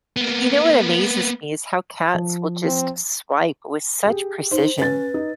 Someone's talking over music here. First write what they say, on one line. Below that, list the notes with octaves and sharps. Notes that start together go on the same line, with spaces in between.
Y you know what amazes me is how cats will just swipe with such precision.
A#3 B3
F3
C4
G4 G#4
D#4 C5
C#4 B4 A6
D#4